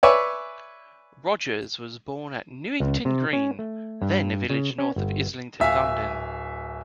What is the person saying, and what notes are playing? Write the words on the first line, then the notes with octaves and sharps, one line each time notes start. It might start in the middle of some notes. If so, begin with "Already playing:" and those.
Rogers was born at Newington Green, then a village north of Islington, London.
B4 C#5 D5 E5 G#5
C#2
C3
C#4
A3
G2
C#3
C#4
G1
D1 E5 F5 G#5